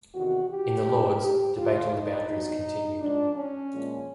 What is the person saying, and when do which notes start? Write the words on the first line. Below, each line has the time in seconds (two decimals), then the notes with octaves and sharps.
In the Lords, debate on the boundaries continued.
0.14 E2 C3 D#3 F#4
0.50 G4
0.86 F2 D3 F3 G#3
1.21 G4
1.58 D2 D3 G3 F4
1.93 D#4
2.29 E2 B2 F#3 D#4
3.01 G#2 F3 G#3 D4
3.36 C#4
3.73 A#2 F3 G#3